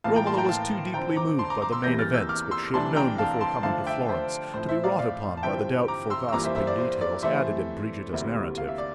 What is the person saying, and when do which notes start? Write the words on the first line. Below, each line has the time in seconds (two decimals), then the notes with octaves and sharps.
Romola was too deeply moved by the main events which she had known before coming to Florence, to be wrought upon by the doubtful gossiping details added in Brigida's narrative.
0.04 A2 E3 A#3 F4 F5 A5
0.16 G5 A#5
0.27 A5 C6
0.38 G5 A#5
0.49 F5 A5
0.94 D3 F3 C4 G5 A#5
1.16 A#5 D6
1.38 A5 C6
1.50 A#5 D6
1.62 A#5 D6
1.72 C6 E6
1.83 E2 C3 E3 G3 A#3 G6 A#6
1.99 F6 A6
2.14 E6 G6
2.29 D6 F6
2.51 C6 E6
2.73 C2 C3 E3 A3 D4 A5 C6
2.96 G5 A#5
3.18 F5 A5
3.41 A5 C6
3.63 D3 F3 A3 D4 F5 A5
3.87 E5 G5
4.09 C5 E5
4.54 A2 F3 C4 E4 C5
4.69 C5 E5
4.84 D5 F5
4.99 D5 F5
5.37 A5
5.43 G2 D3 F3 C4 E4 E5 G5
5.88 A#5 D6
6.10 C6 E6
6.28 E6
6.33 G2 E3 A#3 F4 A#5 D6
6.44 C5 E5
6.55 C5 E5
6.67 D5
6.78 C5
7.01 D5
7.22 C3 E3 A3 C4 C5 E5
8.13 D2 C3 G3 A#3 E4
8.58 F5
8.68 E5
8.78 D5